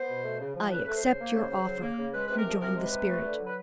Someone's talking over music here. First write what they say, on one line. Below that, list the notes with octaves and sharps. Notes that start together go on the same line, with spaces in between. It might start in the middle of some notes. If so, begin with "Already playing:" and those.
"I accept your offer," rejoined the spirit.
Already playing: B3 C5
B2
A3
C#3
F3
C#3 B4
A3 B4
C5
C#3
A#3
C#3
F#3
C#3
A#3
C#3
G#3 B4
C3 B4
A#4
F3
C3 A#4
G#3
B4
C3
A3
D3
F#3
B4